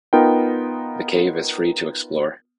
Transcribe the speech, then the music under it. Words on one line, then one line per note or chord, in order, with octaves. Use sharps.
The cave is free to explore.
B3 D#4 F4 A#4 G5